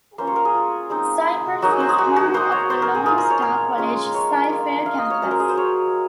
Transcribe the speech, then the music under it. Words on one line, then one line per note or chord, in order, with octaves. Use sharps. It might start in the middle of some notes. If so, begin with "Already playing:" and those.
Cypress is home of the Lone Star College-CyFair campus.
A#3 C#4 F4 C5
C#5
A#4
G#4
F4
G#3 C4 D#4
F#3 A#3 D#4 F#4
G#4
C5
G#4
F#4
F#4
A#3 D#4 C5
C#5
C5
A#4
G#4
A#3 F4 G#4
A#4
C#5
A#4
G#3 C#4 F4
C#5
A#3 F4
F5
D#5
C#5
F#3 C#4 F4 C5
A#4
G#4
C5
C#5